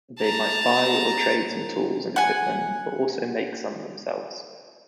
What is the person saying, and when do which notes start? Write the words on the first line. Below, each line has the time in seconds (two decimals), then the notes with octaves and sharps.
They might buy or trade some tools and equipment, but also make some themselves.
0.21 A5 A#5
2.16 F#5 G#5